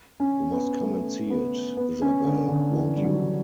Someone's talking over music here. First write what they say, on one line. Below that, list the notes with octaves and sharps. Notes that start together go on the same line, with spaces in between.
You must come and see it, Isabel — won’t you?
C#4
B3
A3
B3
B3
C#4
D3
D3
E3
G3
F#3